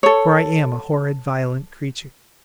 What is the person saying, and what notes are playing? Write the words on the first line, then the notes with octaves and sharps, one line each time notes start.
For I am a horrid, violent creature.
A4 C#5